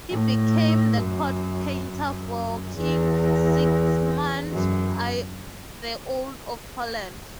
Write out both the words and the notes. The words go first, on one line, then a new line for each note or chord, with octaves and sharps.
He became the court painter for King Sigismund I the Old of Poland.
A2
F#2
F#2
E2
F#2